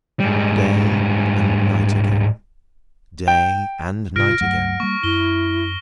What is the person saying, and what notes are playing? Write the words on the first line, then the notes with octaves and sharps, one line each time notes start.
DAY and night again, day and night again.
G#2 G3
G5
G#2 C3 F4 F6 A#6 D7
G2 F#3 A3 F#5
G3 A#3 C#6
F#2 E4 G7